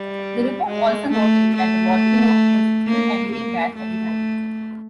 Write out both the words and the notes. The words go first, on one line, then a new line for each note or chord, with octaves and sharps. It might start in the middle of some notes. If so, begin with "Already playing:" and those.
The report also noted that the volcano was still emitting gas at the time.
Already playing: G3
G#3
A3
A3
A#3
A#3
A3